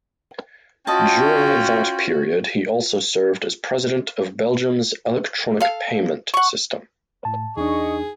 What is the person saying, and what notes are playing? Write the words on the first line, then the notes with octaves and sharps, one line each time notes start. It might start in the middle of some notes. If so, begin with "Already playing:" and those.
During that period, he also served as President of Belgium's Electronic Payment System.
C#4 F4 F#4 D#5 G5 A5
A4 F5
F#5 C#6
A2 A5
E2 D4 D#4 G#4 D#5 C#6